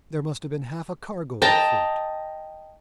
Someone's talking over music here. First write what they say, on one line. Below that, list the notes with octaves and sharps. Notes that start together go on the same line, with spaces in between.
There must have been half a cargo of fruit.
D#5 G5 A5 A#5